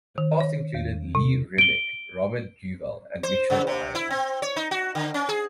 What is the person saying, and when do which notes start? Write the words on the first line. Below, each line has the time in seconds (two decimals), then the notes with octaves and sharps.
The cast included Lee Remick, Robert Duvall and Mitchell Ryan.
0.18 D#3
0.41 C#5
0.75 E2
1.15 C3
1.58 D7 G7
3.23 C5
3.50 C#3
3.67 C3
3.95 E4
4.10 C4
4.42 C#5
4.56 D#4
4.71 F#4
4.95 D3
5.14 C#4
5.29 G#4